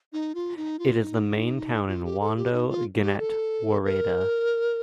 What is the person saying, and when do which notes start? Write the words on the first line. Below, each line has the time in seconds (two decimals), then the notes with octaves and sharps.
It is the main town in Wondo Genet woreda.
0.13 D#4
0.35 F4
0.57 D#4
0.79 F4
1.01 D#4
1.88 F4
2.05 G4
2.21 A4
2.37 G4
2.53 D#4
2.69 F4
3.02 G4
3.19 A4
3.84 A#4